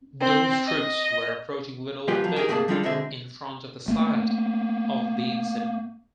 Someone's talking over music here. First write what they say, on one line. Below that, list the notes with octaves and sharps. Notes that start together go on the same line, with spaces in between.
Those troops were approaching Little Bethel in front of the site of the incident.
C4
D#5
A#2 F3 G3 B3 F4 G4
F3 F#3
D#4 G4 G#4 A#4
A2 C3 G3 A#3 G#4 A5
F3 G3 G#3 D4 F4 A4
B2 D3 G#3 C4 E5
A3 A#3